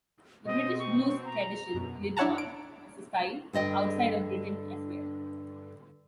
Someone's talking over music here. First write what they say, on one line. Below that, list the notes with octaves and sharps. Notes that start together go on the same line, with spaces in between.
The British blues tradition lives on, as a style, outside of Britain as well.
B2 C4 D#5
C#6
A#5
F#2 B2
D4 E4 C#5 F#5 A5 A#5
D7
G2 D3 D#5 G5